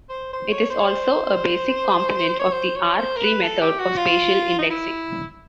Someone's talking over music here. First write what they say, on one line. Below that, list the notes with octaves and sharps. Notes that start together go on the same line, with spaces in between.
It is also a basic component of the R-tree method of spatial indexing.
C5
C5
C#5
C5
C#5
C5
C#5
C5
C#5
C5
A#4
B4
A4
G4
F#4
F4
D#4
E4